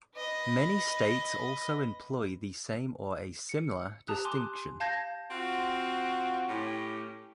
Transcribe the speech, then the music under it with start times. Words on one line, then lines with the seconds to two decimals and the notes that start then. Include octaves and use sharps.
Many states also employ the same or a similar distinction.
0.16 B4 D#5
3.49 C#7
4.08 G4 A5 A#5 D#6 F#6
4.25 G#5 C6 D6 F#6
4.80 F5 A5 G6 G#6 A#6
5.31 C4 F4 F#4
6.48 A2 C#4 G4